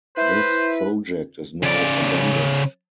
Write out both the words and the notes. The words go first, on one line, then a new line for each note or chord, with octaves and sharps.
This project is now abandoned.
E4 B4 C5
C#3 D5